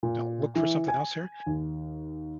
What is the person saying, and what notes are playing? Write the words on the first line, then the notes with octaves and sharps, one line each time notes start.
you know, look for something else here,
A#2
E3
G#5
D#2